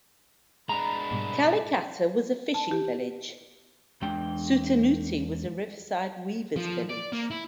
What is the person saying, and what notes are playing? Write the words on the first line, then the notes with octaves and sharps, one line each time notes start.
Kalikata was a fishing village; Sutanuti was a riverside weavers' village.
G#3 D4 A#5 B5
G#2 B2 G3
A5
G4
E2 G#3 D4 G5
F3
D5
A#3
E4